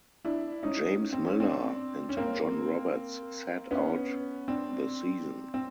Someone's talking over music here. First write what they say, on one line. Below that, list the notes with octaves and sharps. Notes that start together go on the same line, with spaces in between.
James Miller and John Roberts sat out the season.
D4 E4
C#4 D#4
C4
C#4
C4 D4
C#4
A#3 C4
B3 C#4
C4 D4
C4